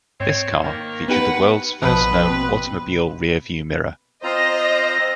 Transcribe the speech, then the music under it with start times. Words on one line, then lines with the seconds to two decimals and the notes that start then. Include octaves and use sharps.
This car featured the world's first known automobile rear-view mirror.
0.20 G#2 C4 C#5
0.64 D#3 A#3
1.08 B3 D#4 G4 B4 F#5
1.82 A#1 B2 F3 B4 D#6
2.15 C4
4.24 C4 F4 C5 D#5 A#5 A#6